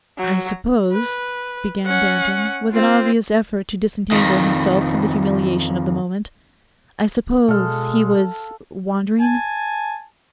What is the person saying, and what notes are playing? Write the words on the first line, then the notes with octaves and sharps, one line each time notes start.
'I suppose,' began Danton, with an obvious effort to disentangle himself from the humiliation of the moment, 'I suppose he was--wandering?'
F#3
B4
C#4 F#5
C4 F4
F2 D#3
B2 G#3 A4 F5
G#5 A5